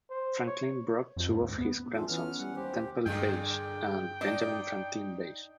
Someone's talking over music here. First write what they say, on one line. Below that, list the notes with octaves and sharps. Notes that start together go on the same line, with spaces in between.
Franklin brought two of his grandsons, Temple Bache and Benjamin Franklin Bache.
C5
C#5
F2
G#2
D2
B3
E3 D4 F4 A4
E3 B3 C#4 F6
G3 F#5
D#2 G4 C5
G2 A#2 D3 G#4 G5
D4 D#4 D#5